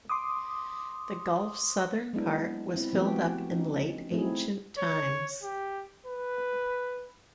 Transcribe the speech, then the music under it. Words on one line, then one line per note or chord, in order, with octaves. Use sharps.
The gulf's southern part was filled up in late ancient times.
C6 D6 D#6
F#3 G#3 A#3 B3 D4 E4
C4 E4
F3 A3 B3 C4 F#4 G4
C#4 D#4
A3 C4 D#4 E4 G#4
C#5
G4
B4